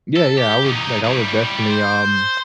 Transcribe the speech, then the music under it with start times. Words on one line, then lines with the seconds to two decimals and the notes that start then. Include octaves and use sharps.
Yeah, yeah, I would, like, I would definitely, um,
0.16 A4
0.38 G4
0.65 E2 D#4
1.05 A2 G3
1.70 C5